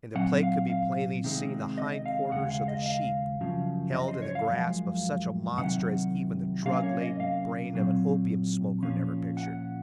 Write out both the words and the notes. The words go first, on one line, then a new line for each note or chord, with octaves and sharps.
In the plate could be plainly seen the hind quarters of the sheep held in the grasp of such a monster as even the drug-laden brain of an opium smoker never pictured.
A#2 F#3 C4 F#5
F5
F5
C3 D#3 G#3 C4
D#5
F5
D#2 C#3 G#3 F#5
F5
D#5
F5
F#2 C#3 F3
D#5
C5
C#5
F5
F#2 F3 G#3
C2 C3 D#3 F#3 F#5
C3 F#3 A#3 C#4 F5
C#5
D#5
F5
A#2 F#3 C4
A#2 F3 A#3 C#4
F#5